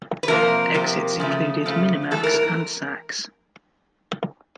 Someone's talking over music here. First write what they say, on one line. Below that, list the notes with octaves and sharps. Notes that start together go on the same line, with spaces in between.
Exits included Minimax and Saks.
B4
C3 F3 A#3 A#4
C3 F3 A#3
C#3 F3 A3
C#3 F3 A3
G#2 E3 A3 A4
A#4
A#4